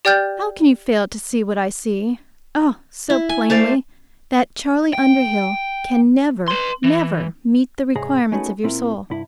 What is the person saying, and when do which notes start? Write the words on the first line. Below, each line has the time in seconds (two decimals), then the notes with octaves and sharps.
How can you fail to see, what I see, oh! so plainly, that Charley Underhill can never, never meet the requirements of your soul.
0.05 G4 D5 G5 F6 G6 A6
3.10 E4
3.29 G#5
3.50 A3 C5 D5 F5
4.93 G5
6.48 B4 C6
6.84 E3
7.95 G#2 C3 G#4 C#5 A#5
8.32 A3 C#4 D#4 F#4 G#4 B4
8.64 A#2 C4 E4 A#4
9.10 C2 G2 E4